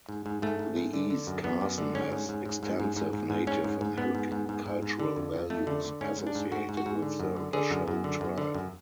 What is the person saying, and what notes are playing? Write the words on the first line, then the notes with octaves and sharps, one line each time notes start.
The East Carson has extensive Native American cultural values associated with the Washoe tribe.
G#2
G#2
G#2 A3
G#2
G#2
D3
D3
F#2
F#2 B3
F#2
D3
G#2 C#4
G#2
G#2
G#2
G#2
G#2
G#2
G#2
G#2
G#2 C#4
G#2
G#2
G#2 B3
G#2
G#2
G#2
G#2
G#2
D3
F2
F2
F2 A3
D3
D3
G#2 C#4
G#2
D4
G#2
G#2 F#4
G#2
F#4
G#2
D3
F#2
D3
D3 G#4
F#2
F#2
D3
F#2
D3
F#2